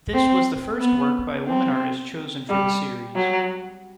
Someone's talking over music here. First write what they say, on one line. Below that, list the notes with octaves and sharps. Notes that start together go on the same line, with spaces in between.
This was the first work by a woman artist chosen for the series.
C4
B3
C4
G3
F#3